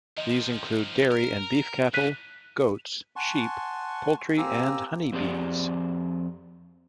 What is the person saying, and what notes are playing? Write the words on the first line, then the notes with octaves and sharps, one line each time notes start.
These include dairy and beef cattle, goats, sheep, poultry and honey bees.
D#3 F3 D#5
A#4
G2 E3 F#6 B6 D#7
F#5 G#5 A5 C6 C#6
A#3 C4 G4 G#5 A#5 E6
F2 C4 G4 G#4 D5